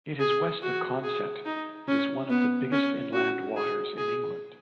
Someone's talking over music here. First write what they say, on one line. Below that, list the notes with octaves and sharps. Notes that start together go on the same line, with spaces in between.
It is west of Consett.It is one of the biggest inland waters in England.
G#4
F#4
G#4
D#4
C#4
B3
C#4
F#4
G#4
G#4